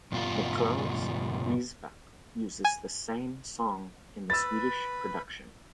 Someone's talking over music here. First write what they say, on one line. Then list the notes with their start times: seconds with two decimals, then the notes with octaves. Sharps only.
Niklas Riesbeck uses the same song in the Swedish production.
0.12 E2 G2 B2 F4
2.65 G#5
4.30 B4 B5 E6 A6